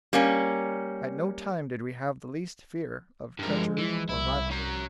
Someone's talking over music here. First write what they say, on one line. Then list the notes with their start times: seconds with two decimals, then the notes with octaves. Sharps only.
At no time did we have the least fear of treachery or violence.
0.13 G3 A#3 C#4
3.39 G2 F3 G#3 A#4
3.78 E3
4.09 C2 E4
4.51 C#4 A#5